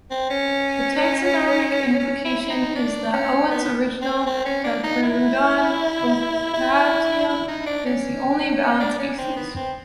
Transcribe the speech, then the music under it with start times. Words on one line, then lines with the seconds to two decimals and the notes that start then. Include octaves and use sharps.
The taxonomic implication is that Owen's original "Diprotodon optatum" is the only valid species.
0.11 C4
0.30 C#4
2.00 C#4
2.25 E4
2.40 E4
2.50 D#4
2.75 D4
3.13 C#4
3.51 B3
4.01 C4
4.27 C4
4.45 C#4
4.64 D4
4.83 D#4
5.03 E4
6.54 E4
7.29 E4
7.48 D#4
7.66 D4
7.86 C#4
8.80 D4
8.99 C#4
9.18 C4
9.36 B3
9.56 C4